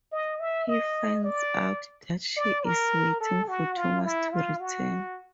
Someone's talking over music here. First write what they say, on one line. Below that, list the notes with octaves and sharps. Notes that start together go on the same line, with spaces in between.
He finds out that she is waiting for Thomas to return.
D#5
E5
D#5
D5
D5
A#4
A4
F#4
F4
E4
F4
F#4